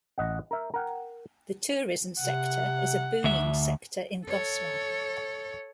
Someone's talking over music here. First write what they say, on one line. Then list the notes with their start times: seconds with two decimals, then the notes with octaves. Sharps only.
The tourism sector is a booming sector in Goslar.
0.18 A1 D#5 F#5
0.51 A#4 E5
0.74 A#4 F#5 G5
2.20 C3 F#5
3.24 D2 E5
4.26 A4 C#5